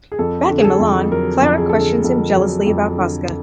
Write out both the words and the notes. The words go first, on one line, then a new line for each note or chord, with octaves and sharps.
Back in Milan, Clara questions him jealously about Fosca.
G#4
F2 A4
D3
G#4
A4
F2
F#3 A#4
F2
G#4
D3 A4
G#4
F2 A4
F#3 G#4
F2
D3